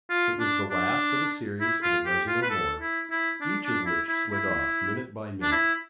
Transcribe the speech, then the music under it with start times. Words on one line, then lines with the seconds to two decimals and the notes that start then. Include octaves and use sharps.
It was the last of a series of a dozen or more, each of which slid off minute by minute.
0.10 F4
0.39 D4
0.70 D4
1.61 E4
1.83 F4
2.06 G4
2.28 F4
2.42 B4
2.51 A4
2.81 E4
3.10 E4
3.41 D4
3.64 D4
3.86 E4
4.08 E4
4.32 E4
5.42 D4
5.52 E4